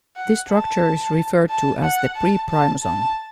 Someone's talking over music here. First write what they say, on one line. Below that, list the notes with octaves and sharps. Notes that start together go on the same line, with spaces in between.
This structure is referred to as the pre-primosome.
F#5
A5
A5
F#5
A5
A5
A5